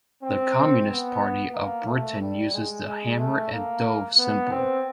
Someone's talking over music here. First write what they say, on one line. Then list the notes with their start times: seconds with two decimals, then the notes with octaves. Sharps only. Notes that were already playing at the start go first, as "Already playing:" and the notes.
The Communist Party of Britain uses the hammer and dove symbol.
0.23 C4
0.89 B3
1.54 A#3
1.87 A3
2.21 G3
2.54 G#3
2.87 G#3
3.19 A3
3.53 A#3
4.19 B3
4.51 C4